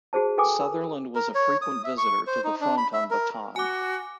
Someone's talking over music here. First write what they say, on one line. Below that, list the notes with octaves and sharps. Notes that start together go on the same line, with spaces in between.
Sutherland was a frequent visitor to the front on Bataan.
F#4 G#4 C5 A5
A4 B4 G5 G#5 D6 D#6
A#4
A#4
C#5
D#6
E5
C#6
C5
D#4
D4
B5
E5
A#4
F#4 G#5 D6